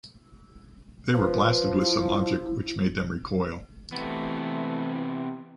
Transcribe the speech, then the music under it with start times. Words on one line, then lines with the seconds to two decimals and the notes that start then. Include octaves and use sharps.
They were blasted with some object which made them recoil.
1.15 F3 B4
1.81 E4
3.92 C3 E3 A3 B3